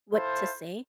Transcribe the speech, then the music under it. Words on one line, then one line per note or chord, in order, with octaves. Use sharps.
what to say,
E4 A4 C5 F5